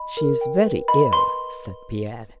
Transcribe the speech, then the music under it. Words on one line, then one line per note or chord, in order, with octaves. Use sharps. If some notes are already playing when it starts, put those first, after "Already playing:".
"She is very ill," said Pierre.
Already playing: D#5 B5
A#4
G5
B4
D#5 B5
B4 C6